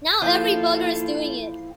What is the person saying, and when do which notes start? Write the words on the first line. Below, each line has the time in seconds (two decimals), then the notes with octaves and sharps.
Now every bugger's doing it.
0.22 F3 A#3 E4 F4 A4